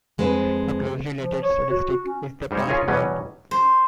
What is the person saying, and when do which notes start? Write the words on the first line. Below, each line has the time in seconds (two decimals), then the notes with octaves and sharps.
A closely related statistic is the passed ball.
0.18 F2 G#3 C4 B4
1.19 F3
1.43 C#5
1.70 F#4
1.90 F#4
2.05 C#4
2.51 G#2 G3 D#4 C5 C#5
2.68 C#4 F4 G#4 A#4 C#5 G#5
2.88 E2 B2 F#3 G3 C#4 D#5
3.51 C5